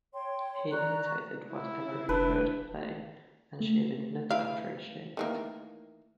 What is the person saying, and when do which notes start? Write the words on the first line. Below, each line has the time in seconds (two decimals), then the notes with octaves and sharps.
He imitated whatever he heard her play, and she did not appreciate it.
0.13 C#5 G5 C6
0.71 D5 A#5 C#6 F#6
1.52 E4
2.09 F1 D4 B4
3.60 A3
4.30 E4 B4 F5
5.17 D#3 E3 A#3